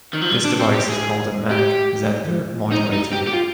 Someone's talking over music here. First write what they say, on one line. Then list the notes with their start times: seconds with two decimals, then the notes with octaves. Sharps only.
This device is called a Mach-Zehnder modulator.
0.13 D#3
0.22 F3
0.29 G3
0.44 D4
0.59 C4
0.74 G4
0.90 G#4
1.51 G4
2.72 D#4
2.92 D#4
3.13 G4
3.27 G4
3.33 F4